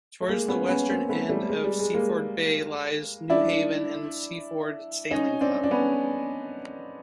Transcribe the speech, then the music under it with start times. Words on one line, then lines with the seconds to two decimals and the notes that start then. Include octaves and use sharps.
Towards the western end of Seaford Bay lies Newhaven and Seaford Sailing Club.
0.22 A3
0.29 G#3 A#3
0.48 B3 C#4
0.68 B3 C#4
0.89 A#3 C4
1.09 A3 B3
1.29 G3 A3
1.49 G#3
1.64 G3
1.79 G#3
1.94 G#3 A#3
3.30 D4 E4
5.11 C#4 D#4
5.41 C4 D4
5.64 D4
5.71 B3 C#4